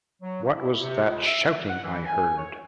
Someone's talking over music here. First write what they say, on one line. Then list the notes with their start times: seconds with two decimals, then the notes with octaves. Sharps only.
What was that shouting I heard?
0.23 F#3
0.43 G2
0.57 E4
0.82 C3
1.04 C#2
1.26 E5
1.70 F#5
1.84 E3
2.06 G#5
2.37 C#5